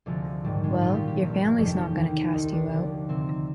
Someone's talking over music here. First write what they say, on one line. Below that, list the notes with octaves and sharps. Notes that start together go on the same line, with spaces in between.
Well, your family's not gonna cast you out.
D2 C3 F3 G#3
A#1 G#2 D#3 G3
G#3
A#1 A#2 F3 F4
G4
G4
G1 G2 F3
F1 F2 C3 D#3 G4
G4
D#2 D#3
C2 C3 D#3 D#4
D4
D#2 D3 F3
D2 C3 D#3 C4